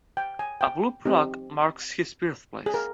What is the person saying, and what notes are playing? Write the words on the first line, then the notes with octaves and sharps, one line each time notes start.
A blue plaque marks his birthplace.
G5
G#5
G5
C4 D#4 G4
G#4
A#4